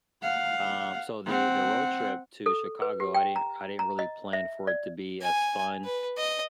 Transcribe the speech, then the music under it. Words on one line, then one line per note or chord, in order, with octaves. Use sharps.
um, so the the road trip to Chicago, I didn't I didn't really plan for it to be as fun
F5 F#5
C4 F#5
A4
B4
G4
G5
A#5
A#5
D#5
E5
D5
G#5
B4
D#5